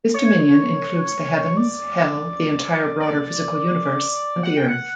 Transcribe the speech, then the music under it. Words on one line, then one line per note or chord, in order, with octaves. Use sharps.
This Dominion includes the Heavens, Hell, the entire broader physical universe, and the Earth.
C#5
D5
D5
F#5
G5
F#5